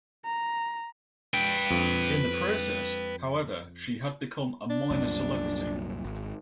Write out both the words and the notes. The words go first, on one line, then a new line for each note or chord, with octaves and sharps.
In the process, however, she had become a minor celebrity.
A#5
B4 G5
F2
D4
C2 F#2 A#2
G#1